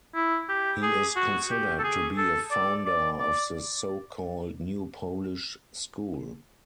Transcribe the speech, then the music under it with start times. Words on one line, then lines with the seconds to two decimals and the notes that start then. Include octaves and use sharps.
He is considered to be a founder of the so-called "New Polish School".
0.15 E4
0.49 G4
0.82 G#4
1.16 F#4
1.50 G4
1.79 A4
1.84 G#4
2.17 A4
2.51 D5
2.85 D5
3.19 D5